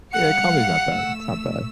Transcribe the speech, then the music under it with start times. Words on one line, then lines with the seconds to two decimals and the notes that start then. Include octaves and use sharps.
Yeah, comedy's not bad, it's not bad.
0.13 G3 F5 F#5 C#7
0.89 A3 E6